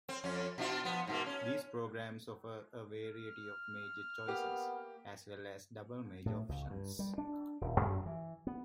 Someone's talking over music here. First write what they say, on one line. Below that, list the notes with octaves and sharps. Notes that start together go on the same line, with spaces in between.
These programs offer a variety of major choices, as well as double-major options.
C4
F2 C#4
B2 D4 F4
F3 B3
G#2 B2 A#3
C#4
F6
A#3 B3 G4
A2
C#2
G2
G3
D4
D#1
F#2
E3
B3